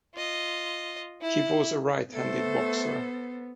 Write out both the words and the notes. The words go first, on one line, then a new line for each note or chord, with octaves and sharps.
He was a right-handed boxer.
F4 D#5
E4
A3 B3 A4 C5